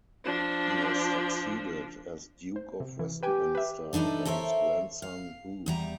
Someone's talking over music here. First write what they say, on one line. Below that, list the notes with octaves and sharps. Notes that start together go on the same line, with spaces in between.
He was succeeded as Duke of Westminster by his grandson, Hugh.
F3 D4
C5
C3
E3
G4 B4 G5 G#5
B4 E5
E3 D4 D#4 A4 B4
A4 A#4 C5 C#5 E5
F5
E2 G3 A#5